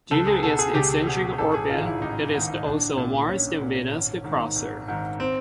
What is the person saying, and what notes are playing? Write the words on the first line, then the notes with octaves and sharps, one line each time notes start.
Due to its eccentric orbit, it is also a Mars and Venus-crosser.
C#2 A4
G#4
B2 A4
G#4
C#2 G4
B2 G#4
A1 A4
G#4
G#2 D#3 F4
E4
A1 D#4
G#2 D#3
A#1 D4
A#2
A#1 C#4
A#2
G#1
G#2 D#3
G#1
G#2 D#3
C4